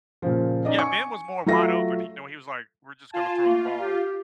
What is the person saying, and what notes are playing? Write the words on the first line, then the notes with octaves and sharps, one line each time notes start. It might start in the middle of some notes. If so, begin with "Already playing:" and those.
Yeah, Ben was more wide open, you know, he was like, "We're just gonna throw the ball"
A#2 C#3 F3
C#4 D#4 D5 D#5
G#5 C#6
F#3 A3 F4 E5 A#6
F4 G#5 A5
A3 A#3
G4